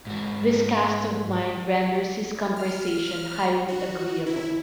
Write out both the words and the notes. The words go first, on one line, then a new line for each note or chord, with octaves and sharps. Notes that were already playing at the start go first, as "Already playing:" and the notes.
This cast of mind renders his conversation highly agreeable.
G#2 F#4
F6
F#4
E4